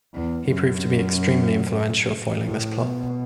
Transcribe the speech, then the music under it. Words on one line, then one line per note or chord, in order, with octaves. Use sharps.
He proved to be extremely influential foiling this plot.
E2
F#2
A2
B2